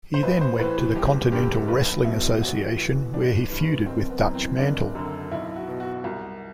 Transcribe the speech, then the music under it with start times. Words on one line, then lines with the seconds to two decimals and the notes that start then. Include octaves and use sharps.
He then went to the Continental Wrestling Association where he feuded with Dutch Mantel.
0.14 C5
0.23 A1 B4
0.41 C5
0.59 A2 E3 B4
0.78 B4
0.95 G1 G4
1.32 G2 D3 G4
1.68 B1 B4
2.04 B2 E4
2.41 A1 F#4
2.77 A2 E3
3.14 G1 D4
3.50 G2 E3
3.86 F#1 C4
4.10 B3
4.23 F#2 E3
4.35 C4
4.59 F#1 D4
4.95 F#2 D3
5.31 B1 E4
5.56 F#4
5.68 B2
5.80 F#4
6.04 C2